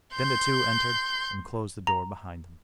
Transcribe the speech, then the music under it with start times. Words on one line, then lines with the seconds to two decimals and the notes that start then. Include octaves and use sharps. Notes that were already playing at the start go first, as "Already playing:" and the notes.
Then the two entered and closed the door behind them.
0.14 C6 G6
1.87 A#5